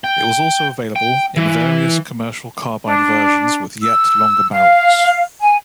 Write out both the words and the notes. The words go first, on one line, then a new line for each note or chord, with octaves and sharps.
It was also available in various commercial carbine versions with yet longer barrels.
G5
G5
E3
D4
E6
F5
G#5